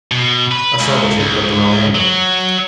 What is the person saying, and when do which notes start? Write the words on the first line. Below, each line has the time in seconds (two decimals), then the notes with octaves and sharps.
I saw that she had got the wrong angle.
0.12 B2
0.51 B4
0.80 C#2
1.20 C#2
1.95 F#3